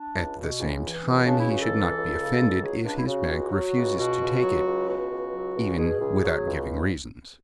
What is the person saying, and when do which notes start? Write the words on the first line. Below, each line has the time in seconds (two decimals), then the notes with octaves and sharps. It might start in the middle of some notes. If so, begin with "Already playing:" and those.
At the same time he should not be offended if his bank refuses to take it even without giving reasons.
Already playing: D4
0.14 C#2
0.36 B2
0.59 C#2
0.82 E3
1.04 C#2
1.26 C#3 D4
1.38 E4
1.49 C#2 F#4
1.61 A4
1.72 E3
1.95 C#2
2.17 C#3
2.39 C#2
2.62 F#3 G#4
2.84 C#2 D4
2.96 E4
3.06 C#3 F#4
3.29 C#2
3.52 F#3
3.75 C#2
3.97 B2 F#4
4.19 C#2
4.42 F#3
4.65 C#2
4.87 B2 F#4
5.10 C#2
5.32 F#3
5.54 C#2
5.77 B2 G#4
5.99 C#2
6.22 F#3
6.45 C#2